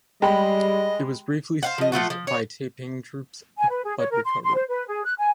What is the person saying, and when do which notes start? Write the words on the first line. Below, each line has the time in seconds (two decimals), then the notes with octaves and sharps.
It was briefly seized by Taiping troops but recovered.
0.22 G3 G#3 G4 D#5 B5
1.63 C5 F5 F#5
1.78 F3 D#5
1.92 F3 A3 F4 F#4
2.10 F3
2.27 C#5
3.58 G#5
3.69 B4
3.84 G#4
3.98 C#5
4.11 A#4
4.25 C6
4.43 C6
4.55 C5
4.68 B4
4.87 G#4
5.04 F#6
5.18 G#5